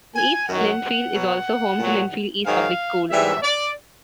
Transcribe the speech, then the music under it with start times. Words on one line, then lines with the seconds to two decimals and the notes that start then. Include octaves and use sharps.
East Lindfield is also home to Lindfield East Public School.
0.16 G#5
0.48 F#2 D#3 F#3 F#5
1.14 B2 F#3
1.79 A#2 F#3
2.44 G#2 D#3 F#3 F5
3.10 G#2 E3 G3 E5
3.42 D5